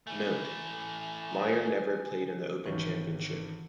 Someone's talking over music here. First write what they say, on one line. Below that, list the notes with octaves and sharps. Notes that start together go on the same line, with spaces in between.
Note: Mayer never played in The Open Championship.
E3 A3 G#5
G#1 D#3 E3 C#5